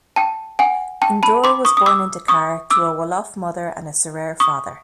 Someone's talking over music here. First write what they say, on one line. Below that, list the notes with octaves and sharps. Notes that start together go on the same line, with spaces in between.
N'Dour was born in Dakar to a Wolof mother and a Serer father.
G5 A5
F#5 G#5
G5 A5
A5 B5
C6 D6
C#6 D#6
D#6
D6 E6
C#6 D#6
D6 E6
C#6 D#6